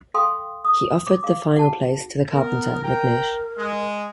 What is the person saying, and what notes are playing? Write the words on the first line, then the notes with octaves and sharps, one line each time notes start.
He offered the final place to the carpenter, McNish.
A4 F5 G5 C6 D#6
D#6
D6
F5 D6
F#5 A5
B3 A#4
A#4 G5 A#5
G#3